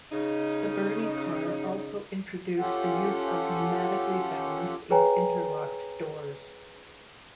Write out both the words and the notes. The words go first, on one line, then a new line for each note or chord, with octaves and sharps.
The Birney Car also introduced the use of pneumatically balanced and interlocked doors.
C#3 D#4
C#4 F4 G4 A4 F#5
G#4 B4 C#5 G5 G#5 A#5